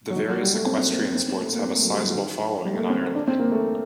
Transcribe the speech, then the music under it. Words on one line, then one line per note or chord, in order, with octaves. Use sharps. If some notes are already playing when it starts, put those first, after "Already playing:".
The various equestrian sports have a sizeable following in Ireland.
F#3
D#3
F#3
G3
A3
C4
C4
A#3
C4
C4
C4
A3
A#3
C4
A3
F#3
G3
F#3
D#3
G3
A3
A#3
C4
D4
C4
A#3
A3